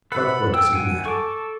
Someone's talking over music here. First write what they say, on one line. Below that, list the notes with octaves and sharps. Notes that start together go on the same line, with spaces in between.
But what does it matter?
A4 B4 F#5 B5
G5 E6
F#5 G#5
A4 C#6 D6